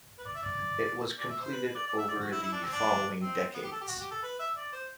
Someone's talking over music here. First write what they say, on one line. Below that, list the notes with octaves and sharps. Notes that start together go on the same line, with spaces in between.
It was completed over the following decades.
B4
D5
E5
D5
D5
E5
C5
B4
B4
D5
D5
E5
D5
F#4
E4
E4
D4
C4
D4
C4
B3
G4
A4
G4
F#4
G4
A4
B4
E5
D5
C5